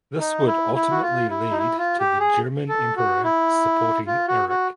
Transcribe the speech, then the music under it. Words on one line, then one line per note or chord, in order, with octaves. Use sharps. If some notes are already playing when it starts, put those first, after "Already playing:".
This would ultimately lead to the German emperor supporting Eric.
D#4
E4
E4
F#4
F4
E4
D#4
E4
F4
G4
G#4
A4
F#4
E4
F4
F#4
F#4